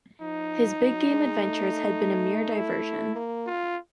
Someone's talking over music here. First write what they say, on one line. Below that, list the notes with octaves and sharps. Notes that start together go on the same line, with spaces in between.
His big-game adventures had been a mere diversion.
F3 D#4
F#3
G#3
A3
E4
A#3
F4